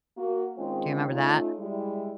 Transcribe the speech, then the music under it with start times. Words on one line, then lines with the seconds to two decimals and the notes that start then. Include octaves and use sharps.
do you remember that?
0.17 A#3 F#4
0.57 D#3 G#3 C4 C#4 D#4 F4
1.09 A3 C#4 D#4 F4
1.59 G3 G#3 E4